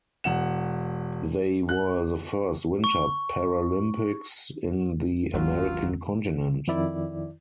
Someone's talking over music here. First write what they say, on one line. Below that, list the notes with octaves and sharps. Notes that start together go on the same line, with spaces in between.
They were the first Winter Paralympics in the American continent.
E1 F#5 E7
F#6
C#6
G#1 D#2 G#2 F#3 F4
F2 D#3 E4 D5